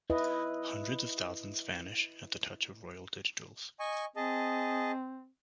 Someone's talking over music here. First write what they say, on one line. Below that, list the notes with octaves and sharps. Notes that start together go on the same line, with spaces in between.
Hundreds of thousands vanish at the touch of royal digitals.
E4 B4 D#5
D#5 G#5 C#6
C4 G#4 D#5 A5